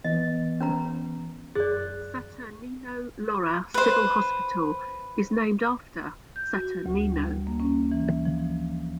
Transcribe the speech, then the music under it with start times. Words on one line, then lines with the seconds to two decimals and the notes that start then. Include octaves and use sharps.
Saturnino Lora Civil Hospital is named after Saturnino.
0.04 E3 B3 D#5
0.61 C#4 B4 A#5
1.55 F#2 G#4 D5 F#6 A6
3.74 B4 C5
6.36 G6
6.54 F#4
6.86 D2
7.12 G3
7.47 A#3
7.60 C#4
7.92 E3
8.25 F3